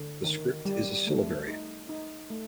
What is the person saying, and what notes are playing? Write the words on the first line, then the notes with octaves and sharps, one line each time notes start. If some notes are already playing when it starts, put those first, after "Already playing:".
The script is a syllabary.
Already playing: D3
D#3
G3
A3
D#4
D#4
A3